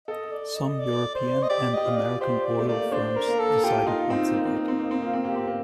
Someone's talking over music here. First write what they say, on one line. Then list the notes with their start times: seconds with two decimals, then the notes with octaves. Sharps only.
Some European and American oil firms decided not to bid.
0.08 A4 D#5
0.32 D5
0.55 D#5
0.79 D5
1.15 C5
1.43 D#5
1.50 G4 D5
1.74 G4 D#5
1.85 F4
1.97 D5
2.21 G4 C5
2.45 D5
2.59 A3
2.69 A#3 D5
2.92 D4 C5
3.17 A#4
3.28 A#3
3.40 A4
3.64 F4 G4
3.87 D#4 F4
4.10 C4 D#4
4.34 A#3
4.45 C4
4.56 A#3
4.68 C4
4.79 A#3
4.91 C4
5.02 A#3 F4
5.13 C4
5.24 A#3 G4
5.36 C4
5.48 A#3